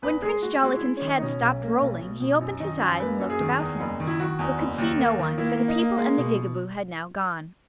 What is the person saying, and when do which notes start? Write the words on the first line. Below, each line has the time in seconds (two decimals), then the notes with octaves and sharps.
When Prince Jollikin's head stopped rolling, he opened his eyes and looked about him, but could see no one; for the people and the Gigaboo had now gone.
0.02 E2 B4
0.22 G#3 G#4
0.42 G#3 F#4
0.62 G#3 F#4
0.76 E4
0.81 G#3
0.97 D#3 C#4
1.07 D#4
1.17 D#4
1.21 B2 C#4
1.42 B1
1.62 A#3
1.81 B1
2.01 B2
2.20 B2
2.40 F#2 D#4
2.60 D#3 D#4
2.80 F#2
3.00 A#3 B4
3.19 F#2
3.30 G#4
3.40 D#3
3.59 E2
3.80 F#1
4.00 D#3
4.07 E4
4.18 D#3 F#4
4.39 E2
4.58 F#1
4.78 D#2
4.98 A#3
5.19 D#3
5.38 A#3 E4
5.57 A#3
5.68 D#4
5.78 A#3
5.97 G#3
6.18 B2